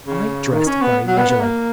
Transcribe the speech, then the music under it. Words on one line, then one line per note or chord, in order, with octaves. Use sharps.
I dressed very leisurely.
C#3
D#3
C#4
B3
F#3
B3
B3
A#3